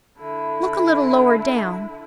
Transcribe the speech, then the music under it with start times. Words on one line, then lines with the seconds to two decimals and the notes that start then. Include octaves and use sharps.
"Look a little lower down."
0.18 D3 E4